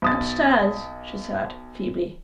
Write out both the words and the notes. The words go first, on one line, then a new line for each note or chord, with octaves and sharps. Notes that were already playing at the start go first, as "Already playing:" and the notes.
"Up stairs," she said, feebly.
B1 D#6 A6